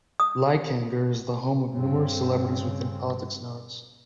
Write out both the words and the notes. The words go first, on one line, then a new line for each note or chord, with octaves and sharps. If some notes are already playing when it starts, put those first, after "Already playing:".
Leikanger is the home of numerous celebrities within politics and arts.
D#6
G2 C#3 C4